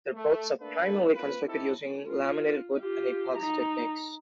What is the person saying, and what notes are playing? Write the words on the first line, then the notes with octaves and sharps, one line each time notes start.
Their boats are primarily constructed using laminated wood and epoxy techniques.
A3
A3 A#3 D4 A4 B4
F4 B4
C4 D#4 E4 G4 A4
F4
F4 G4
D#4 A#5